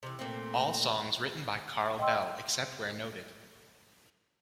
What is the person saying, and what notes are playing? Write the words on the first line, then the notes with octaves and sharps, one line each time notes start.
All songs written by Carl Bell except where noted.
C3 E3
A#2 A3 A#3 C4
D#5 G5 C6 E6